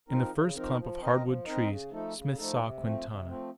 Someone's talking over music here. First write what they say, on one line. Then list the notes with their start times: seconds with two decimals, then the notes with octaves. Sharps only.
In the first clump of hard-wood trees Smith saw Quintana.
0.09 F3 C4 D#4 A#4
0.32 C#3
0.54 F3 C4 D#4 A#4
0.77 F3
1.00 C4 D#4 A#4 D#5
1.22 F3
1.45 C4 D#4 A#4 D#5
1.68 C#3
1.91 F3 A3 D#4 A4
2.14 C#3
2.36 F3 A3 D#4 A4
2.60 C3
2.82 F3 A3 C4
3.05 C3
3.27 F3 A3 C4